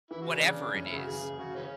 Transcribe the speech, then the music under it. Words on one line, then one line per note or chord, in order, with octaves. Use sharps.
whatever it is.
E3 E4
F#4
C#3
B3 D4
C#3
C#3
F#2 C#4
E4
C#3
F#4
C#3 G#4
C#3
C#3 F#4
C#3 E3 G#3 C#4